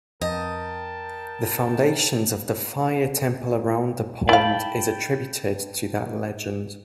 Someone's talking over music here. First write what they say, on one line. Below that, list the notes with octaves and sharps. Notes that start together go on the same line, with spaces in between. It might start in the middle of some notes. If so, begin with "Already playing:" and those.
The foundations of the fire temple around the pond is attributed to that legend.
F2 A#4 D#5 G5 A5
E4 F5 G5 A5 B5